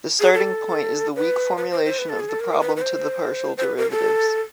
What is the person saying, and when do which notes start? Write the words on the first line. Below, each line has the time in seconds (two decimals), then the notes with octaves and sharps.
The starting point is the weak formulation of the problem to the partial derivatives.
0.20 G#4
0.34 A4
1.16 B4
1.57 B4
1.71 C5
1.85 C5
1.99 B4
2.09 A4
2.20 G#4
2.29 A4
2.40 A#4
2.61 B4
2.77 B4
2.82 C5
3.57 C5
3.64 B4
3.77 A#4
3.91 A4